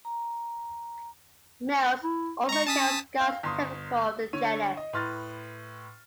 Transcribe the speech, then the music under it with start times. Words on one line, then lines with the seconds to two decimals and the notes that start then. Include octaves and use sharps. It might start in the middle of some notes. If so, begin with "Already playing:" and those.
Males also carry scars typical of the genus.
0.05 A#5
2.04 E4
2.49 G#3 A#5 C#6
2.67 C#4 A5 D#6 B6
3.20 F5
3.43 G1 C6 D#6
4.33 D3 C#5 D#7
4.77 D#5
4.93 A2 B4 C6 F6 A6